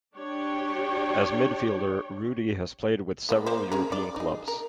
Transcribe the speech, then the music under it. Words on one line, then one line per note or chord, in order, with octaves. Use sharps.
As midfielder, Rudi has played with several European clubs.
D4 G4 C#5 D5 G5
G3 A3 A#3
A#3 C5
C#4 G#4 A#4
D5
D#4 G#4
A#4